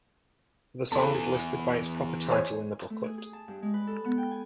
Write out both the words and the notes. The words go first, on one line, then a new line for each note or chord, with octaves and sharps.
The song is listed by its proper title in the booklet.
E2 A4 B5
C5 C#5 G#5
A3
G#4
G#4
A5
G2
G#3
B4
A4
B3
G5
G#5